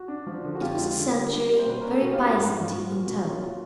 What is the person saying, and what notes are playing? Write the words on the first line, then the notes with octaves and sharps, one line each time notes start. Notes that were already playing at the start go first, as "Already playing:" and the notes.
It was a century very Byzantine in tone.
Already playing: F#4
D4
F3
D3
F#4
F2 F4 G4
G#3
D3
G3
D4
G3
C5
B2 B4
C#4 A#4
A4
B2 F#4 G#4
F4 G4
D4
F#4
G#2 G4
F#4
G#2
F4
F3 F#4
A#2
B2 F#4
F4
F#3
F4
F4
F#4